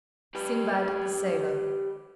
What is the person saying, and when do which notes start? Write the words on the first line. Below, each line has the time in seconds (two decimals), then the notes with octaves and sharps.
"Sinbad the Sailor."
0.35 G4 B4